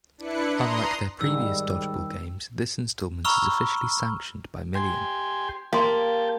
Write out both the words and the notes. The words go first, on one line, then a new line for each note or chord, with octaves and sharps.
Unlike their previous Dodgeball games, this installment is officially sanctioned by Million.
D4 E4 B4 F#6 C#7
A#5 C6 D#6
G#2 D#3 G3 E6
A#5 B5 C#6 E6 F6 G7
G4 G#5 C6
A#3 G4 F5 A5 C6